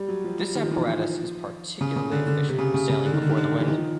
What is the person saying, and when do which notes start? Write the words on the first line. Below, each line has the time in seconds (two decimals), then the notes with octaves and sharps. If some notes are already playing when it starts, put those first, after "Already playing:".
This apparatus is particularly efficient in sailing before the wind.
Already playing: G3
0.08 F#3
0.24 F3
0.40 G3
0.55 D#3
0.64 F3
0.71 E3
0.81 E3
0.87 F3
1.81 C#3
1.96 C#3
2.12 D3
2.27 D3
2.49 C3
2.58 C#3
2.74 C#3
2.89 C#3
3.05 D3
3.13 D#3
3.22 D3
3.29 D#3
3.37 D3
3.60 E3
3.68 D#3
3.78 F3